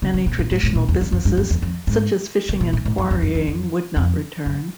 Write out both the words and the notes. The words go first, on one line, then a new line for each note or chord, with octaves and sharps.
Many traditional businesses, such as fishing and quarrying would not return.
C#3
C3
B2
A#2
A2
A2
A#2
E2
F2
F#2
G2
F#2
E2
F2
G#2
C3
B2
A#2
A2
F2
F#2
F#2
F2
F2
F2
F#2